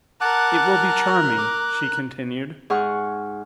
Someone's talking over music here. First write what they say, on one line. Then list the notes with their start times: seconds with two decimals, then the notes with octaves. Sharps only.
"It will be charming," she continued.
0.21 A#4 F#5 A5 D6 F#6
1.38 D6
2.70 G#2 G#4 F#5 C#6 F6